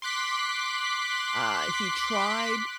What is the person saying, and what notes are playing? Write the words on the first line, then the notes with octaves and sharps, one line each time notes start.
Uh, he tried
C6 D6 F#6 B6